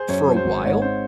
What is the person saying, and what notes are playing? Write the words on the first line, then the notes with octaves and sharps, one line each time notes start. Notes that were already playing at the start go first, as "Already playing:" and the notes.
for a while
Already playing: G#4 C5
F#2 C#5
F#3
C5
G#1
G#2 C#5
C4 C5